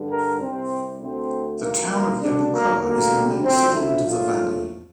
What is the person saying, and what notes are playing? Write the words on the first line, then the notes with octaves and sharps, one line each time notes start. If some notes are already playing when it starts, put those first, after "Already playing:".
The town of Yabucoa is the main settlement of the valley.
Already playing: G2 D3 G3
A#4
C2 C3 G3 C4
D2 D3 A3 C4
D2 C3 E3 A#3
A#3
D2 D3 G3 D4
A#3
D2 D3 G3 A#3
D2 D3 F3 C4
E4
A#1 A2 F3 A3 F4